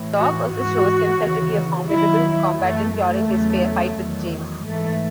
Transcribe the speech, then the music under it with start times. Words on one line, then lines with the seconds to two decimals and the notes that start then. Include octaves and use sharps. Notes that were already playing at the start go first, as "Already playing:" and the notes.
Dog also shows himself to be a formidable combatant during his fight with James.
Already playing: A2 E3
0.18 F#4
0.53 G#2 E3 F#4
1.22 D#2 C#3 E3
1.90 D#2 D#3 F#3 E4
2.59 F#2 E3 A3
2.94 A3
3.28 E2 C#3 F#3
3.98 E2 D#3 F#3
4.66 G#2 E3 A3